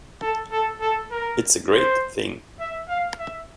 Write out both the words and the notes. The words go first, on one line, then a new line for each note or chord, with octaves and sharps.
It's a great thing.
A4
A4
A4
A#4
C5
E5
F5
E5